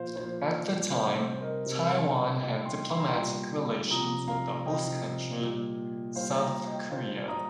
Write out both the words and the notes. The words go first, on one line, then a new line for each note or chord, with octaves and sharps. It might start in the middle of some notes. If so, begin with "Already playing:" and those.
At the time, Taiwan had diplomatic relations with the host country, South Korea.
Already playing: A#2 F3 C5 F5
A#2 F3 C5
C3 G3 C5
C5
A#4 D#5
C3 G3
A#2 G3 D#5 G5
G5 C6
C6
A#5
G5 C6
A#2 G3
C3 F3 A#5 D#6
F5 A#5
C3 F3 D#5 G5
A#2 G3
A#2 G3 C5 F5
G5
F5 A#5
D#5 G5
A#2 G3 C5 F5
A#5 D#6